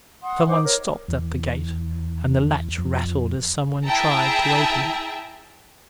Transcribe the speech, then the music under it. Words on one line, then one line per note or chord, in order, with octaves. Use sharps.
Someone stopped at the gate, and the latch rattled as someone tried to open it.
F#5 C6 D#6
D#4 C5 F#5 D6
A#4 C#5
E2
F2
E4 G#4 E5 G5 A5 A#5